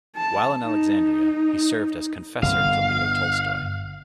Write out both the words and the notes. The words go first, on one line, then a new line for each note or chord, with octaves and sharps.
While in Alexandria, he served as confessor to Leo Tolstoy.
A5
D#4
G1 B2 F5